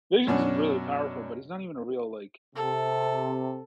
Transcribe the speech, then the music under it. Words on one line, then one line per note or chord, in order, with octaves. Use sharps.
Vision's really powerful, but he's not even a real, like,
F#2 B2 C#4 D4 F#4
C3 A4